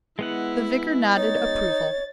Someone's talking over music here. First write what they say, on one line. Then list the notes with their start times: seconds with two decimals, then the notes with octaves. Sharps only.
The vicar nodded approval.
0.19 G#3 B3 E4 F#5
1.17 D#4 C#5 A6